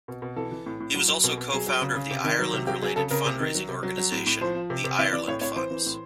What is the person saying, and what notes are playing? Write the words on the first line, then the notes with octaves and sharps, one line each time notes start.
He was also co-founder of the Ireland-related fundraising organization The Ireland Funds.
B2
B2
E3 A4
E3
A2
A2
F#3
F#3
B2
B2
F#3 G#4
F#3
C#3
C#3
C3
D#3
F#3
C3
F#3 G4
F#3 G#4
C#3 A4
C#3 A#4
C3
D#3
F#3
C3
F#3
F#3
A2
A2
F3 C5
F3
C3
C3
E3 E5
E3 D5
A2 C#5
A2 C#5
E3 C5
E3
A2